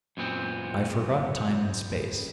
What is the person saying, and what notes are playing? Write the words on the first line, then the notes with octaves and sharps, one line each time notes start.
I forgot time and space.
F#2 A#2 B3 C4